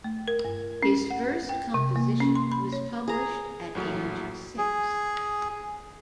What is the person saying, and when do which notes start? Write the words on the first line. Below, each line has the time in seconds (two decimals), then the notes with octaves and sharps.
His first composition was published at age six.
0.04 A3
0.28 A#4
0.45 G2
0.83 C#4
1.10 F#5
1.49 G5
1.74 C3
1.96 A#3
2.20 C#4
2.35 C6
2.52 B5
2.73 C#5
3.08 G#4 A#5
3.75 A#1 A2 F#3
4.58 G#4